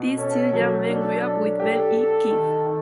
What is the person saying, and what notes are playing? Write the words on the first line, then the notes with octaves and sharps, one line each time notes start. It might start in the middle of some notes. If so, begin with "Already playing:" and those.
These two young men grew up with Ben E. Keith.
Already playing: B2
C#4 A4
F#3
D4 A4
D4
G4 A4
G4
D#3
D#3